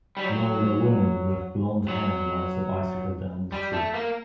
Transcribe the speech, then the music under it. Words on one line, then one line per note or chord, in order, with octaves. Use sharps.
An older woman with blondhair rides a bicycle down the street.
G3
F#3
F#3
G3
A3
A#3